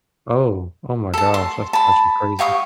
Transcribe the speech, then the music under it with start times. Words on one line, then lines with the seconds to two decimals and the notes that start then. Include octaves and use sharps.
Oh, oh my gosh, that's actually crazy.
1.14 A4 A5
1.34 C6
1.73 A5 B5
2.39 G4 F5 C#6 D#6